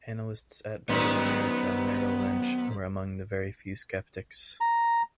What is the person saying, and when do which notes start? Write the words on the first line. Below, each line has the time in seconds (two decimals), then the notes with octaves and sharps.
Analysts at Bank of America Merrill Lynch were among the very few skeptics.
0.89 F#2 D#3 B3 C4
4.61 A#5